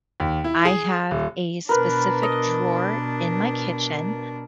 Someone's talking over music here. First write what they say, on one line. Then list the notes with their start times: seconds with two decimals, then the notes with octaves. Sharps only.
I have a specific drawer in my kitchen
0.20 D#2
0.44 E4
0.65 G#4
1.11 D#1
1.69 B2 D4 A#4 B4
2.23 D#5